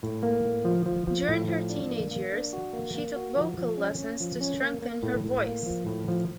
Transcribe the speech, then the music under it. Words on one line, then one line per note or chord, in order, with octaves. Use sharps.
During her teenage years she took vocal lessons to strengthen her voice.
A2
A#3
A2
F3
F3
F3
A2
F3
D4
A#3
A#3
D4
F#4
A#3
A#3
F#4
F3
F3
C#4
C#4
F3
C#4
A#3
A#3
A2
A2
A#3
F3
A2
F3